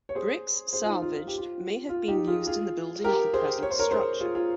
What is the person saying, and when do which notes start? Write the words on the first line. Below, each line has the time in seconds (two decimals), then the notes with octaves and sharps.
Bricks salvaged may have been used in the building of the present structure.
0.09 C#5
0.15 G#4 C5
0.73 G#4 C5
0.84 F4
0.87 D#4
1.02 F4
1.17 F4
1.27 G4
1.38 F4
1.89 F4
2.08 D#4 G4
2.28 F4 G#4
2.47 F4 G#4
3.04 G4 A#4
3.34 G#4 C5
3.63 C#5
3.71 C5
3.79 A#4 C#5
3.91 G#4 C5
4.20 F4 G#4
4.35 F4 G#4